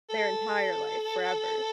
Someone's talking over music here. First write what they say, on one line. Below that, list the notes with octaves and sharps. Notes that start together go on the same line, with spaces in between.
their entire life, forever.
A4